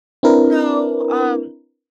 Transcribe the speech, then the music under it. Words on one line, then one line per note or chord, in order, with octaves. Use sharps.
No, um,
C4 D4 E4 A#4 B4